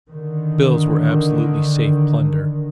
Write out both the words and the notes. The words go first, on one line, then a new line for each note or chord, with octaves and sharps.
Bills were absolutely safe plunder.
D3 D#3